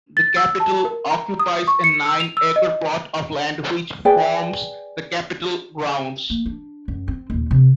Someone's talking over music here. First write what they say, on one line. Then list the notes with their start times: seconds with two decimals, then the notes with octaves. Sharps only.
The capitol occupies a nine acre plot of land which forms the capitol grounds.
0.17 A6
0.37 E6
0.60 A5
0.85 A#4
1.11 A#5
1.39 D#6
1.68 C#6
1.84 C#7
2.05 E6
2.20 F7
2.37 E6
2.56 D#5
4.05 G#4 B4 D5 G5
6.30 A#3
6.46 D4
6.88 F#2
7.08 C4
7.30 D#2 A#2
7.51 C3